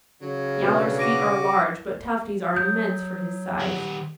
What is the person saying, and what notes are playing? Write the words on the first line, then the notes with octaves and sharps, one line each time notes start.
Yowler's feet are large, but Tufty's are immense for his size.
C#3 F#3
B2 B3 D4
F#4 D6 A#6 D7 D#7
F#3 D#6 G6
D#3 G4 F#5